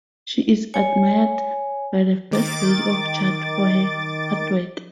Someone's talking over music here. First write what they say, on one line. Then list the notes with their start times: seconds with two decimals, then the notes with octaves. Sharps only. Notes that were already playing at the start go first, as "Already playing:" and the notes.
She is admired by the first lady of Chad for her hardwork.
0.74 C#5 G#5
2.31 D#3 D6 A6